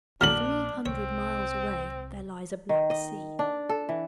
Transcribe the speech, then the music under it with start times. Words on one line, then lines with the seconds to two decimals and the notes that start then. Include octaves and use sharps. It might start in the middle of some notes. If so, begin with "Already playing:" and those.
Three hundred miles away there lies a black sea.
0.21 A#1 F#3 A3 A#3 D4 D#4 F6 F#7
0.86 C2 C4 C#5
2.69 D#3
2.90 D#5
3.39 D4
3.69 A4
3.89 E3